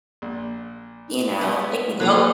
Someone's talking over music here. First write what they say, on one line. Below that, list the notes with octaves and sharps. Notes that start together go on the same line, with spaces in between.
you know they can go
A#1
G#3 B3
F3 F#3 A#3 A4 B4 F#6